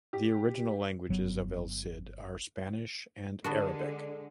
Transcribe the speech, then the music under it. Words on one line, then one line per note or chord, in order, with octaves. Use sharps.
The original languages of "El Cid" are Spanish and Arabic.
G4
G1 F#3 B3
D3 G#3 B3 D4 F#4 G4 A#4 A5
A4 D5